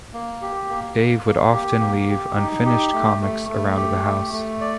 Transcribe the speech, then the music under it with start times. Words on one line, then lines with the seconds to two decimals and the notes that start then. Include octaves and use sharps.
Dave would often leave unfinished comics around the house.
0.13 A#3
0.42 G4
0.69 A#3
0.97 A#3
1.25 A#3
1.53 G4
1.81 A#3
2.09 G4
2.37 D#4
2.65 G4
2.93 A3
3.21 A3
3.49 A3
3.77 G4
4.05 A3
4.32 A3
4.61 D5